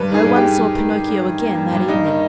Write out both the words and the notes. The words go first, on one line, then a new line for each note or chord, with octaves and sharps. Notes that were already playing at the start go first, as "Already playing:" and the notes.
No one saw Pinocchio again that evening.
Already playing: G2 B4
D#3
G#4
G2
G4
G2
G2
D#3
D#3
G2
D#3
A#3
G2
G2
G2 D#4
D#3